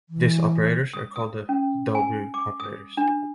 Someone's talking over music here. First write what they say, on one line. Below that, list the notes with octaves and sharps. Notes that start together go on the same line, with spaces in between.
These operators are called the Dolbeault operators.
E3
D#6
D#6
C#4
G#5
D6
D#6
D4